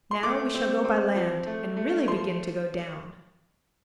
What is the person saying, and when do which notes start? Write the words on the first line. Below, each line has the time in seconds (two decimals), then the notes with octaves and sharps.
Now we shall go by land, and really begin to go down!
0.11 C6
0.23 A3 D6
0.54 C4
0.85 C4
1.15 F3
1.46 A3
1.77 A3
2.08 F3 C6